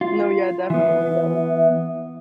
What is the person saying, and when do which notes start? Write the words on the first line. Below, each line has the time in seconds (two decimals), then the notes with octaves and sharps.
No, yeah, definitely. That would
0.01 F4
0.70 E3 B3 E5